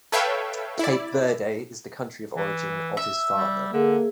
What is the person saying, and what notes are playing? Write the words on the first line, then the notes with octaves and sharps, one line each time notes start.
Cape Verde is the country of origin of his father.
A4 B4 C#5 E5 F5 G5
E4 D5
E3
E5
G3
D3 A#3 G#4